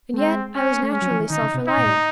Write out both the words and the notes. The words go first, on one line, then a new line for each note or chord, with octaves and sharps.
And yet I was naturally self-reliant.
A3
G#3 C4
C#4
A3
G#3 C#4
F#3
F3
E3
D#3 D#4
C#3
C3
D#4
A#2
A2